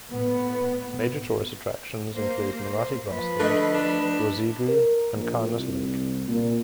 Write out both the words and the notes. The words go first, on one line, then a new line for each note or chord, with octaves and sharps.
Major tourist attractions include Narati Grassland, Guozigou and Kanas Lake.
A2 B3
A#3 C5
F3 B4
D3 A3 D#5
D4
A#4
A#1
C2
A#2